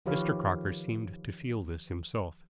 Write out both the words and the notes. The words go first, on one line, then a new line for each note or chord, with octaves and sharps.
Mr. Crocker seemed to feel this himself.
D#3 F3 G4 B4 C#5 F5